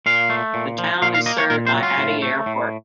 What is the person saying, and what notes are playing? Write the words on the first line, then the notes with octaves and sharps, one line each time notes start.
The town is served by Ati Airport.
A#2 F5
A3
A#2
F3
A#2 F5
F5
A#3 D#5
C#5
A#2 A#4
C5
F#3
F4
A2
A3
A2